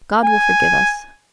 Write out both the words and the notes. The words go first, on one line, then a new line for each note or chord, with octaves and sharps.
God will forgive us.
G#5